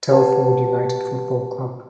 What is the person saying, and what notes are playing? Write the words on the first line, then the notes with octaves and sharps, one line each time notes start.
Telford United football club.
G4 B4 F#5 A5